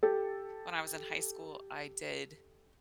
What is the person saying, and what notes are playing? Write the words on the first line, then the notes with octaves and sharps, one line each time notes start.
when I was in high school, I did
G4 A4